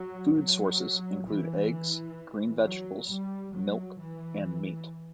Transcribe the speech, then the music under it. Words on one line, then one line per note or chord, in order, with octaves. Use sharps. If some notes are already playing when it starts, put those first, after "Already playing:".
Food sources include eggs, green vegetables, milk, and meat.
Already playing: F#3
F#3
E3
F#3
G3
F#3
E3